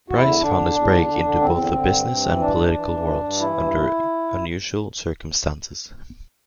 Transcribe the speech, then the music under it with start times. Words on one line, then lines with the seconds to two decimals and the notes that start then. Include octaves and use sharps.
Brice found his break into both the business and political worlds under unusual circumstances.
0.08 E2 F#4
0.17 E4
0.25 D3
0.41 D3 D4
0.58 E2
0.75 E2
0.91 D3
1.08 D3
1.24 D3
1.41 E2 C4
1.58 D3
1.74 D3
1.91 G2
2.08 G2
2.24 E3
2.41 G2 D4
2.57 E3
2.74 E3
2.91 E3
3.07 G2
3.24 G2
3.40 E3 E4
3.57 G2